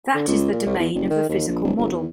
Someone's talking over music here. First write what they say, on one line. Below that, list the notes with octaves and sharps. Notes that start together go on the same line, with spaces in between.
That is the domain of the physical model.
D3
C#2
A#2
C2
E2
F#1
D#3
D#2
A#1
D1
G1
E2